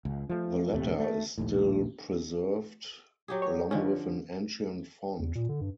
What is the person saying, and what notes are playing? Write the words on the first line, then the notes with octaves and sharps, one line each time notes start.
The latter is still preserved along with an ancient font.
C#2
F3 A3
A#1 D#2 C3 A3
A3
A#1 D#2 A2
F#3 G4 G#4
C#5
D3 D#3 F3 C#4
E2
A#2
D3
G2